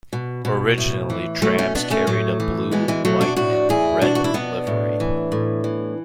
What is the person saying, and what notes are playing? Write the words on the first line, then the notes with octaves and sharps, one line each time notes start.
Originally trams carried a blue, white and red livery.
B2
B2
A2
E3
B2 F#3 A3
A3 C#4
B2 B3 D4
A3 C#4
A2 F#3 A3
E3
B2 G#3 B3
E3 G#3
B2 F#3 A3
D4 F#4
A2 D4 F#4
E3 E4 G#4
B2 D4 F#4
F#4
E4
B2 B3 D4
A2
E3
A2
E3